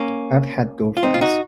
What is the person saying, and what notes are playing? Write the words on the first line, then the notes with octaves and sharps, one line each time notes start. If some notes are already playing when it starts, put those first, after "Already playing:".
I've had girlfriends.
Already playing: A#3 C#4
F4
C4 D#4
F4
D#4 F#4